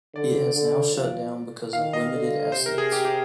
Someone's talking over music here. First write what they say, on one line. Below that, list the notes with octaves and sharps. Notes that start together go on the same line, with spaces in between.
It has now shut down because of limited assets.
D3 D5
D3
F3
D#3 F5
D#5
D3
C3 C5
A#4
G#4
G4
G4